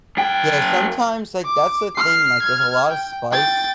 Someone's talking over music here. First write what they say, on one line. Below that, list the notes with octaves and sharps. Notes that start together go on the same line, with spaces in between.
yeah, sometimes like, that's the thing, like, with a lotta spice
F#2 G5
D6
F6 C7
F6 G#6
G5
G5 A6